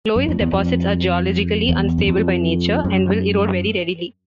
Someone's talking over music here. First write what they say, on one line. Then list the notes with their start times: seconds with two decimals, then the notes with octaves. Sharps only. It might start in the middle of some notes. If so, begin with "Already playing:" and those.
Loess deposits are geologically unstable by nature, and will erode very readily.
0.16 F#2
0.29 F2
0.40 E2
0.53 F2
1.69 E2
1.98 F#2
2.08 F2
2.84 F#2